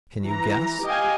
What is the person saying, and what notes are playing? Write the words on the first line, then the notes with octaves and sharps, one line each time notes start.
Can you guess?
E3 A#5
G4 D#5 F5 G5 G#5